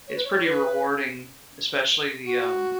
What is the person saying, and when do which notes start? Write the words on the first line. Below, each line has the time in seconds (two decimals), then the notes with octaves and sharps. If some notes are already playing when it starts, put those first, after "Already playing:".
it's pretty rewarding, especially the, um
0.07 C#5
0.16 B4
0.24 C#5
0.44 B4
2.24 F#4